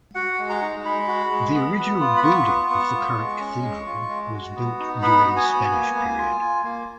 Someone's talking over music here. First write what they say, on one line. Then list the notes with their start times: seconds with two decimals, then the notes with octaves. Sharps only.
The original building of the current cathedral was built during the Spanish period.
0.15 F#4 F#5
0.39 G#3
0.50 A#5
0.62 D#4
0.85 G#3 B5
1.08 F#4
1.31 G#3
1.55 B3
1.78 B3
2.00 F4
2.17 B5
2.24 F4 C#6
2.47 B3
2.70 B3
2.94 F4
3.17 G#3
3.40 C#4
3.63 G#3
3.86 F4
4.09 G#3
4.33 F#4
4.56 B3
4.80 D#4
5.02 B3 B5
5.26 F#4
5.36 G#5
5.48 B3
5.72 A#3
5.95 A#3
6.19 F4
6.41 F4
6.64 A#3